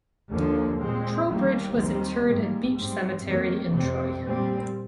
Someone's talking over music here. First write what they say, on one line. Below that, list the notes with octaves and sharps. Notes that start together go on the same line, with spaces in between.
Trowbridge was interred at Beach Cemetery in Troy.
D#2 D3 F3 A#3
A#2 G#3 C4
D#2 D#3 G3 A#3
D#2 D#3 G3 C4
G#2 G3 A#3
G#2 G3 C4
F2 D#3 A#3
F2 C3 G3 C4
A#2 G3 C4